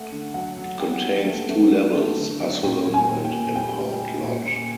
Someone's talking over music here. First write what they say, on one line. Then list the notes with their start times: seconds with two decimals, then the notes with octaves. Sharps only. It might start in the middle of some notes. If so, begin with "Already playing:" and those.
It contains two levels: Asylum and Impound Lot.
Already playing: A3 F#5
0.12 D3
0.34 F#3 F#5
0.57 F#3
0.80 F#3 G5
1.03 F#3
1.26 A3
1.49 A3
1.72 F#3
1.95 A3
2.17 D3
2.41 F#3
2.63 A#2 G5
2.87 A#2
2.94 G#5
3.09 A#2
3.25 G5
3.32 A#2
3.56 G3 G5
3.78 G3
4.01 G3
4.24 A#2
4.46 A#2